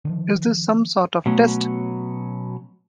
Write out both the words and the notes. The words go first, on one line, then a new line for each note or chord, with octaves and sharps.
Is this some sort of test?
D3 D#3 F3
B2 F#3 A3 C#4